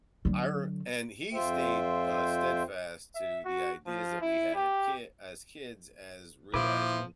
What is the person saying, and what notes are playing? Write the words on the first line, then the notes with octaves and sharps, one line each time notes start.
I r and he stayed, uh, steadfast to the ideas that we had at kit as kids as realizing
D3 F#3
F2 F4 C5 E5 G5
E5
F#4
F3
E4
G4
A#2 F3 E4 B4 D6